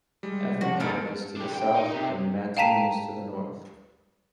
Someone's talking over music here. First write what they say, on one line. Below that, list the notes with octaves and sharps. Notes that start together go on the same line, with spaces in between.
Effingham is to the south, and Mattoon is to the north.
G3 G#3
F3 D4 F#4 C#5
B1 E2 A4 A#4 F5 D7
D4 G4
G5
D#4
C3 G4
F5 G5 A5 A#5 B6 D#7